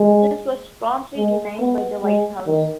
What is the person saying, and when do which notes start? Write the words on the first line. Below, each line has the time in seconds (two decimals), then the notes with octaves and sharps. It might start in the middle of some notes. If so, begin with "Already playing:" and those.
This was promptly denied by the White House.
Already playing: G#3
1.17 G#3
1.60 B3
2.04 G#3
2.47 D#3